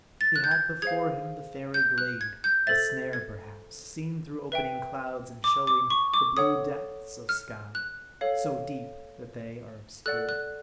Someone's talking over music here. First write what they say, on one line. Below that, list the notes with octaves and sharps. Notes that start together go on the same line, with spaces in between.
He had before him the fairy glade, a snare perhaps, seen through opening clouds, and showing the blue depths of sky; so deep, that they are obscure.
A6
F#6
G6
G#6
G#4 C5 F5 G#6
G6
F#6
G#6
G6
A4 C5 E5 A6
G#6
B4 E5 G5
D6
D6
C#6
D6
A4 C#5 F#5 D#6
F6
F#6
A4 C#5 F5
A4 D5 F#5 F#6
F#6